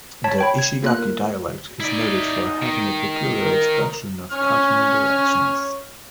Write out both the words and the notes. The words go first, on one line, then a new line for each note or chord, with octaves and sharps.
The Ishigaki dialect is noted for having a peculiar expression of cardinal directions.
C#5 A5 B6
C#5 G5 B5
G#6
A#3 F4 F#6
A#4
D#4 E4 D5
D#3
A#4
C#4 C#5 F6